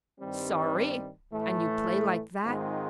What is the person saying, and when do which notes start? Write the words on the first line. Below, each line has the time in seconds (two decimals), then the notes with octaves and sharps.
"Sorry!--and you play like that!"
0.19 G2 D#3 G3 C4
1.32 A2 E3 A3
2.44 G#2 D#3 G#3 C4 F4